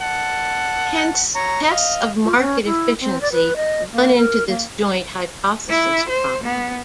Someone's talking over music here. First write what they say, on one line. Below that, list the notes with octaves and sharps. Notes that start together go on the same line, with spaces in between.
Hence tests of market efficiency run into this joint hypothesis problem.
F#5 A5
C#5 A#5
D#5 F5
F4
C#4
E4
C4
D5
B4
D#5
A#3
A#4
A#3
E4
C5
B3